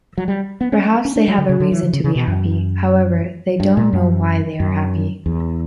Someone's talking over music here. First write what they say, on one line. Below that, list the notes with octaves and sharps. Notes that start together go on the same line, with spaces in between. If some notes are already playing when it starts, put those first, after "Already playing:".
Perhaps they have a reason to be happy; however, they don’t know why they are happy.
F#3
G3
B3
C#4
C#4
D4
F#3
D3
C#3
D3
E3
D3
C#3
C#3
B2
F#2
G2
A#2
F#2
F#2
E2